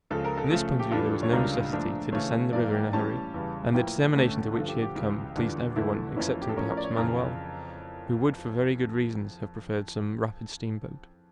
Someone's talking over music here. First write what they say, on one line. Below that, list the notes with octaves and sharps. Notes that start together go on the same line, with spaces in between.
From this point of view there was no necessity to descend the river in a hurry. And the determination to which he had come pleased every one, excepting, perhaps, Manoel, who would for very good reasons have preferred some rapid steamboat.
C#2 C#3 F3 A4
A#4
A4
C#3 F3 A3
G4
E2 E3 G3 D4 F4 A4
C#5
C#2 C#3 G3 D4 F4 A#4
A#2 F3 A3 D4
C#3 E3 A3 C#5
G2 E3 A#3 D5
G5
A2 E3 G3 C#4 A5
E2 C#3 G3
A2 F3 A#3 E4 G5
D2 D3 A3 C#4
G2 D3 F3 A4
G4
G4
C#2 C#3 E3
E2 D3 G3 D4 F4
E2 D3 A3 E4 A4
F2 E3 A#3 C#4 E4
G4
A4
A2 F3 C#4 A#4
A#4
D5
C#5
F2 C#3 E3 A#4